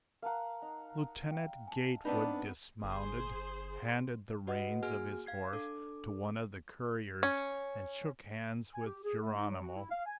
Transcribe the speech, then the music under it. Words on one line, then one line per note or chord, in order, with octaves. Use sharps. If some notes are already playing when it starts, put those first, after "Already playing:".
Lieutenant Gatewood dismounted, handed the reins of his horse to one of the couriers, and shook hands with Geronimo.
A#4 F5 F#5 A5 A#5
D#4
G5
G#5 A5
B3 C4 D4 D#4 B4
G1 G#4 C5
F#4 B4 D#5 F#5
A#3 F#4 G#4 G#5 F6
F5 G#6 C7
D4 A4 D6
C#4
G#5
G4
G#4
A3
D#4
F#3
F#4
E4
F5
G#5